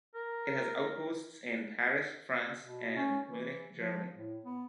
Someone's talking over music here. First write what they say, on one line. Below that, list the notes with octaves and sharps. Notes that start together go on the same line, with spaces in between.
It has outposts in Paris, France, and Munich, Germany.
A#4
B2
C#4
E3
F3
A2
B3